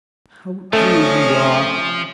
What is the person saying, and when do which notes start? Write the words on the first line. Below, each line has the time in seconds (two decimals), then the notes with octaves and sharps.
How pale you are!'
0.73 F3 A3 C#4 D4 D#5 G#5